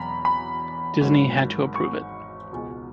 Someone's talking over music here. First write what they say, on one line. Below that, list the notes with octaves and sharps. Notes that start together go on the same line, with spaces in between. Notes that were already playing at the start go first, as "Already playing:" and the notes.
Disney had to approve it.
Already playing: E2 B2 F#3 A#5 B5
B5
G#1 G#2 F#3
C#6
C#2 B2 G#3